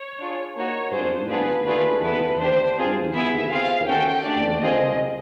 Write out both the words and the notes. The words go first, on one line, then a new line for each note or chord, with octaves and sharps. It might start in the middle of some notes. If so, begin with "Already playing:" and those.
The Lewisville Independent School District serves Hebron.
Already playing: C#5
D4 F4 G#4
A#3 D#4 F#4 C#5
D4 F4 G#4 C5
B3 D4 F4 G#4 B4
A3 D4 F4 G#4 B4
B3 E4 A4 B4
D4 G4 C5
C4 F4 G#4
B3 E4 G#4 E5
C4 F4 G#4 F5
C#4 F#4 A4 G5
A3 D4 G4 D5
C4 F4 G#4 D#5